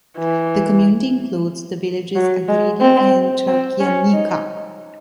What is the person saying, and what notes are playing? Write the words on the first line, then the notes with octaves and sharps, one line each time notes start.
The community includes the villages Agridi and Chalkianika.
E3
F#3
G#3
C4
C4
C#4
D#4